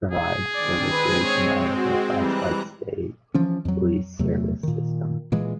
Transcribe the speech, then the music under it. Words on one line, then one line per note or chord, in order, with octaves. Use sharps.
Provides for the creation of the classified State Police civil service system.
G#4
D#3 C4 D4 D5
G#3 C4 B4
C#5
F#4
E3 G3 A#5 F#6
E3 F3 C#4
F2 F#3
E2 C3 F#3 A3
A#2 D#3
A#2 E3 G#3